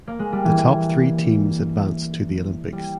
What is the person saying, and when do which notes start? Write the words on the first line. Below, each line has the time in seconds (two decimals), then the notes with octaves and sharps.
The top three teams advanced to the Olympics.
0.07 A#3
0.19 G#3
0.32 G3
0.45 E3
2.73 G3